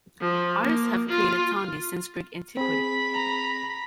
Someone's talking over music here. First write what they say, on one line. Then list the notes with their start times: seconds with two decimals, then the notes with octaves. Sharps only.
Artists have created tondi since Greek antiquity.
0.21 F3
0.63 A#3
1.09 F4
2.57 C4 G#4 B5
3.14 A#5